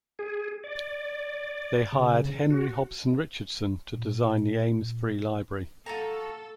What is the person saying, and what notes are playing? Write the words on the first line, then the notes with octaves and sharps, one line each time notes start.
They hired Henry Hobson Richardson to design the Ames Free Library.
G#4
D5
C#3
F#4
A#2
F4 F#4 A4 A#5